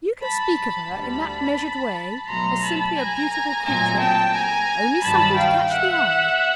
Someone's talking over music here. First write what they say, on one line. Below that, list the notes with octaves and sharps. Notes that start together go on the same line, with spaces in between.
You can speak of her in that measured way, as simply a "beautiful creature"--only something to catch the eye.
A5 B5
A5 B5
D2 D3 G3 A5 B5
B2 F#3 A3 A#5 C6
A5 B5
G#5 A#5
A#2 F#3 A3 C4 G#5 A#5
G5 A5
G#5 A#5
G2 D#3 F#3 A5 B5
F5 G5
E5 F#5